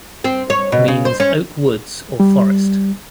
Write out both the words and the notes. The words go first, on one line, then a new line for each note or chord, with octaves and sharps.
Means Oak woods or forest.
C4
C#5
B2
C#3
C5
C#4
G3